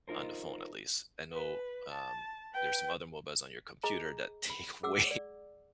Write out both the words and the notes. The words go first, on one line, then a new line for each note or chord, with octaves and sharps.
on the phone at least, I know, um, there's some other MOBAs on your computer that take way
D#4 F4 A#4 C5
B4
A5
B4 G5
G#4 D#5 G#5 A#5
B5
G#4 F#5 D6 E6
D5